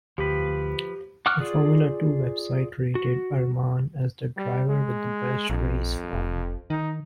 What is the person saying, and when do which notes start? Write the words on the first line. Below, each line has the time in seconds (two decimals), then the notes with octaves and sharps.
The Formula Two website rated Armaan as the "Driver with the Best Race Form".
0.18 D2 F3 G4 B4
1.26 F#5 C#6 D6 F6 F#6
1.40 F4 G#4 D5
2.95 F#4
4.37 G3
4.69 G#3
5.50 A#1 F2
6.13 F1
6.70 D#3 D#4